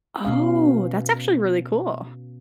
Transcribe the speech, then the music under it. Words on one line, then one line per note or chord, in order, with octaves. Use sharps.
Oh, that's actually really cool.
B2 C#4 F5